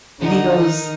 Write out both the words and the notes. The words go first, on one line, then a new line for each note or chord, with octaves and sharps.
And he goes
D3 D#4
D#3